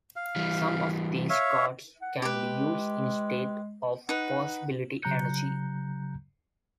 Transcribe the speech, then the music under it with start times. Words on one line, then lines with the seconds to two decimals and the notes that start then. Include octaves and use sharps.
Some of these cards can be used instead of Possibility energy.
0.16 F5
0.36 E3 G3
1.30 C#5 E5 F5
2.02 F#5
2.22 G#3 G4 B4
4.09 D#4 B4 F#5
5.02 C#3 F#3 A#5 F#6 G6 C#7